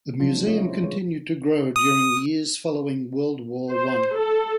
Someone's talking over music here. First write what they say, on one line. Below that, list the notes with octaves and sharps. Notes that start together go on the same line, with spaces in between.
The museum continued to grow during the years following World War One.
C3 F3 F#3 C4 D4 F4
G#3 A#3 F4
E4 F4 G4 C#5 D#5
C#4 C5
G3 G#3 B4 C#5
D#6
C5
A4